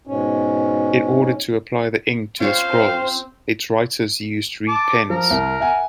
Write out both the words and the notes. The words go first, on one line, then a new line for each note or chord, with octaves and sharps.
In order to apply the ink to the scrolls, its writers used reed pens.
G#2 B2 C#4
C4 C#4 F4 C5 C#5 F5
A5 D6
F3 A#4
C2
E5 F#5 G#5